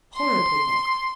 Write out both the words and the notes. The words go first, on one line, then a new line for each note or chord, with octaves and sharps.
Horribly vulgar!
C6